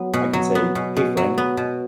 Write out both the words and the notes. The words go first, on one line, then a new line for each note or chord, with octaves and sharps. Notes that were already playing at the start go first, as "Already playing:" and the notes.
I can say, "Hey friend,
Already playing: F#3 B3
B2
F#3
B3
B2
B2
F#3
B3
B2